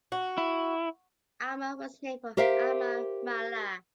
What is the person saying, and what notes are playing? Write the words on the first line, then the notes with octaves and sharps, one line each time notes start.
Alma was named for Alma Mahler.
F#4
E4
G4 A#4 C5 E5 F5